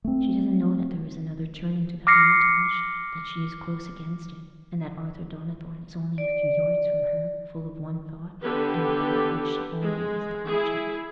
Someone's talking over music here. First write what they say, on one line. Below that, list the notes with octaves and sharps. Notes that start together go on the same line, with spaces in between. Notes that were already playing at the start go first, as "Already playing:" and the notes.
She doesn't know that there is another turning to the Hermitage, that she is close against it, and that Arthur Donnithorne is only a few yards from her, full of one thought, and a thought of which she only is the object.
A3 C4
D6 F6 A#6 C7 C#7
D5
D3 B3 G4 B4
G#3
E4 G#4